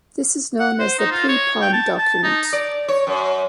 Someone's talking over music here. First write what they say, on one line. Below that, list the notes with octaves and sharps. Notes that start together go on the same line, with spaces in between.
This is known as the Paypom document.
F#5
C5
D#4
F4
C#5
G5
A5
A5
D#4
D5
C#5
F#2